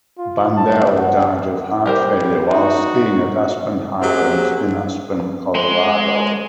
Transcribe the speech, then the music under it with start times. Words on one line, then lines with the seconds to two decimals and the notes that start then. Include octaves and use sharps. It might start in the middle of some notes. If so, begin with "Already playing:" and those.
Bandel died of heart failure while skiing at Aspen Highlands in Aspen, Colorado.
0.18 F4
0.57 A5
0.97 F#5
1.86 G3 G4 A#4 C5
2.50 D#4 F#4
4.01 F#3 A#3 C4 C#4 G4 G#4
5.55 G#3 C6